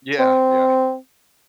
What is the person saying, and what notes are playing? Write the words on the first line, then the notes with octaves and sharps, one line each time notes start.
Yeah, yeah.
C4